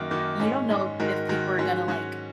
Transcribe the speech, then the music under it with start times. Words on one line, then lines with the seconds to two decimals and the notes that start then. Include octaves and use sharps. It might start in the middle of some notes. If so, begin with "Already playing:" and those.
You don't know if people are gonna, like,
Already playing: F#2 D#3 A#3 F#4
0.11 F#2 D#3 A#3 F#4
0.40 G#2 G#3 C#4
0.70 G#2 G#3 C#4
1.00 G#2 D#3 G#3 F#4 A#4
1.29 G#2 D#3 G#3 F#4 A#4
1.58 G#2 F#3 C#4 F#4
1.88 G#2 F#3 C#4 F#4